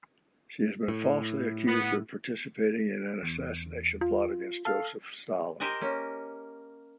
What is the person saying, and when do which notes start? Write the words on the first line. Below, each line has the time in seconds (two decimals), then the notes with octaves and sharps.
She had been falsely accused of participating in an assassination plot against Joseph Stalin.
0.88 A2
1.68 B3
3.23 E2
4.01 F4
4.65 A4 F5
5.60 G4 A#4 C5 D#5 G5 G#5
5.81 A#3 C#4